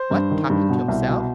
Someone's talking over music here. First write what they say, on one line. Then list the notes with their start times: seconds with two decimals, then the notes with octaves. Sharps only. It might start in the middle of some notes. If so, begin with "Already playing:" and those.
"What! talking to himself?"
Already playing: C5
0.11 G2
0.31 D#3
0.50 G2
0.69 B2
0.88 C2
1.08 B2